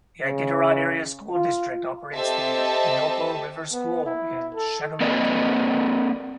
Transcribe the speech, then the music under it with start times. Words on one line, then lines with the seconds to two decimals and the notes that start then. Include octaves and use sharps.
The Iditarod Area School District operates the Innoko River School in Shageluk.
0.24 C#3
1.34 F4
2.15 C4 G4 A4 D#5 E5 A5
3.73 B3
4.06 E4
4.55 A4
5.01 A#3 C4 A4 B4 D5 D#5